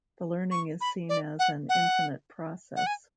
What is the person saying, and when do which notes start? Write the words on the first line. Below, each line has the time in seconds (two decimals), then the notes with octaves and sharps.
The learning is seen as an infinite process.
0.51 C#6
0.81 B5
1.09 D5
1.39 F#5
1.69 F#5
2.76 F#5
2.87 G#5